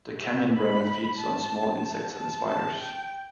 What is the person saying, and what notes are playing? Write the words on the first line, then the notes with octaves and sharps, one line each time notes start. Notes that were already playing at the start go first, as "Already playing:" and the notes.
The canyon wren feeds on small insects and spiders.
E5
B5
A5
A5
A5
G5